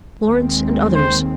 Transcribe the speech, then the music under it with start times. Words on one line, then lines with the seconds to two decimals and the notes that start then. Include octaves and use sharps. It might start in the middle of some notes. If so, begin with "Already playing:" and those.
Lawrence, and others.
0.22 D#2 D#3 G#3 C4
0.95 C5